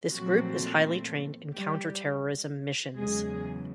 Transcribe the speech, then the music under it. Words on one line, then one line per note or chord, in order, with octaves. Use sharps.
This group is highly trained in counter-terrorism missions.
A#2 F3 F#3 A3 C4 F#4
G3 G4
E2 C#3 F#3 G#3 G#4